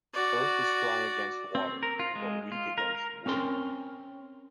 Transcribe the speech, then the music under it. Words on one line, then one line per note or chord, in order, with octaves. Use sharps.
Earth is strong against water, but weak against wood.
F#4 D5
C4
A#4
F4
G#3
F4
A#4
A#4
C4 C#4 A#4 C6